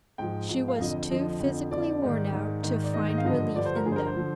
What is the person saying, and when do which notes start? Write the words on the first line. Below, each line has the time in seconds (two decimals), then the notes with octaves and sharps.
She was too physically worn out to find relief in them.
0.18 G#2 F3 G5
0.49 G#2 F3
0.68 F5
0.79 F2 D3 F3 D#5
1.10 F2 D3 F3 D#5
1.40 F2 D3 F3
1.71 F2 D3 F3 D5
2.02 G#2 D#3
2.32 G#2 D#3
2.63 G#2 D#3
2.84 D5
2.94 G#2 D#3 D#5
3.09 D#5
3.18 F5
3.25 G2 D3 F3 D#5
3.55 G2 D3 F3 D5
3.65 C5
3.76 A#4
3.86 G2 D3 F3 G#4
3.92 C5
3.96 A#4
4.06 C5
4.16 D3 F3